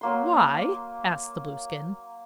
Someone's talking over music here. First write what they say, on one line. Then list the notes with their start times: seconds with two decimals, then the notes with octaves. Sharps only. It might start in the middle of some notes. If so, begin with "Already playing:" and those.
"Why?" asked the Blueskin.
0.01 F#3 A#3 C6